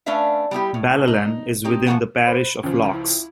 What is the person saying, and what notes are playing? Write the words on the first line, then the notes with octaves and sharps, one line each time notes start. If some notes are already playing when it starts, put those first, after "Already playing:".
Balallan is within the parish of Lochs.
A3 C#4 D4 B4 E5 F5
G3 B3 E4 G4
A2
D#4
C4 D#4 G4
F3 A3 D#4 F4 F#5 G#5
B4 C5
C#2 F3 C#4
E4